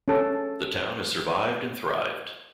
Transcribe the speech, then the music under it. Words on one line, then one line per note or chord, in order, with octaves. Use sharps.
The town has survived and thrived.
C#4 A4